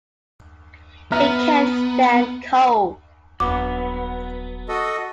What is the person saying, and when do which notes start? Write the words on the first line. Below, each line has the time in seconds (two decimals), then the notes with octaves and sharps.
It can't stand cold!
1.12 B3 E5 A#5 F6
3.40 D#1 F#3 B3 D4 D6
4.69 F#4 A4 D#5